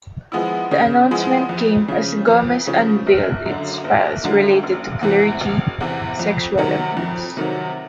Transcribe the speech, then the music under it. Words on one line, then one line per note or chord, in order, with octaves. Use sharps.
The announcement came as Gomez unveiled its files related to clergy sexual abuse.
F3 G#3 B3 E4
C#3
F3 G#3 B3 E4
F2
C#3 F3
F2
C#3 F3
G1
F#2 D3
G1
F#2 D3
F#1
E2 C3 E3
F#1
E2 C3 E3
F2
C3 D#3 F#3
F2
C3 D#3 F#3